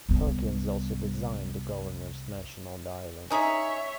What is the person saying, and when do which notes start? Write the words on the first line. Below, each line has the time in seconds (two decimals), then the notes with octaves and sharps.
Perkins also designed the Governors Mansion on the island.
0.09 C2 B3
3.30 C#4 D#4 G#4 C#5 E5